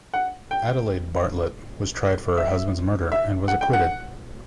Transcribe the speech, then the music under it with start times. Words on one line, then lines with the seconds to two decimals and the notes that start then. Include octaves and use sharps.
Adelaide Bartlett was tried for her husband's murder and was acquitted.
0.14 F#5
0.51 G5
2.37 E5
3.12 E5
3.48 F#5
3.61 G5
3.73 F#5